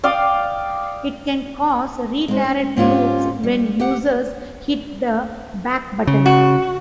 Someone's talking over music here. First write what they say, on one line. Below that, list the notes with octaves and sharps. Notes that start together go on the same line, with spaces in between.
It can cause redirect loops when users hit the back button.
D5 F5 G5 D#6
G#3 C4
C#4
G#2 C#4 F4 G4
G3
G4 F#5
C#3
F#4